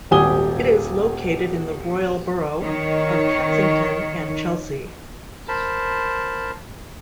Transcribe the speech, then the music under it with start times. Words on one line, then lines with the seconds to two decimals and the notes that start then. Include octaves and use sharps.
It is located in the Royal Borough of Kensington and Chelsea.
0.11 D#1 G#1 G4 G#5 D#6 G7
2.62 D#3 C#5
5.48 A#4 C5 A5 B5